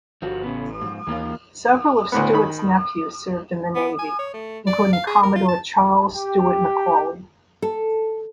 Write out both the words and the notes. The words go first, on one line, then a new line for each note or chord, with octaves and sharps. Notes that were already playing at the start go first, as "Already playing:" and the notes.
Several of Stewart's nephews served in the Navy, including Commodore Charles Stewart McCauley.
G1 F3 F#4
A1 C#3 B3
G#2 F3
D#2 E3 A#3 F4
D2 A2 B3
D#3 B5
B3
G#5
C#5
A3
D5
F5
G#4
A#4
F4
A5
G4
A4